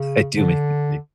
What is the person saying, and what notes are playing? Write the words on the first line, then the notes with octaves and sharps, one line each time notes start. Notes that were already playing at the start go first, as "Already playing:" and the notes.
I do make mistakes.
Already playing: C#3
D3